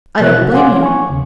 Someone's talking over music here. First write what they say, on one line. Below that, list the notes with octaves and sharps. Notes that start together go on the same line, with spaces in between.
I don't blame you.
B2 F3 B3 A#4 C#5 F#6
C3 F#4
G4 F5 F#5 G#5 C6 D6
C#4 C#5
G#5 C#6
D#2 C#3